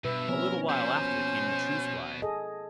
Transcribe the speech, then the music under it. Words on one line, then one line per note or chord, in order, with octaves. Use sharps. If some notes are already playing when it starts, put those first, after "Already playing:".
A little while after came the true Squire.
G2 B2 B4 E5
F3 A#3 C4 C#4 A#4
B2 C5
G#4 A4 D#5